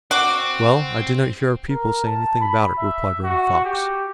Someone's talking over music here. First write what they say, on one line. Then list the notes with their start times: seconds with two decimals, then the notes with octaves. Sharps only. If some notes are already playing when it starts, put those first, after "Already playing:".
"Well, I did not hear our people say anything about it," replied Running Fox.
0.11 C4 F#4 D6
1.69 A#4
2.06 A5
2.41 B5
2.78 E5
3.24 F#4
3.65 G4